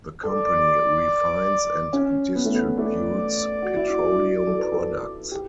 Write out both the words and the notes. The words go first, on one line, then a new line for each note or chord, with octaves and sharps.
The company refines and distributes petroleum products.
A4 D5
C#4
B3
A3
B3
A3 D5
F#4
E4
F#4
A4
B4
A4
G4